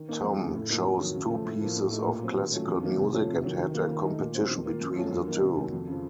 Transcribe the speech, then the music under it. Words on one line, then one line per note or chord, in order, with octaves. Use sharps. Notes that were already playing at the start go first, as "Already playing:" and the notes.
Tom chose two pieces of classical music and had a competition between the two.
Already playing: D#3
A#3 D#4
F2
C#3 A3
A2
F3 A#3 D#4
F2
D#3 F#3
C#3
F3 A3
A2
F3 A#3
A2
A3 D#4
A#2
F#3 C4
D#3
F#3 A3 C#4 F4
F2
D#3 A#3
C3
F3 A3 C#4 F4
C3
D#3 F#3
D#3
A#3 F4
D#3
A3 D#4
A#2
F#3 C4
D#3
A#3 F4
F#2
F3 A3 C#4 F4
F#2
D#3 A#3 D#4
C3
D#3 F#3
F2
C#3 F3